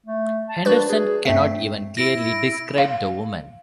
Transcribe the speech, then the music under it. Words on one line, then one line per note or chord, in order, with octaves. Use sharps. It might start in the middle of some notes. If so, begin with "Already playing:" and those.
Henderson cannot even clearly describe the woman.
A3
A5
D4 F#4 B4 D5
G#4
G2 A3 C4 E5
E4 A#6 D7
F5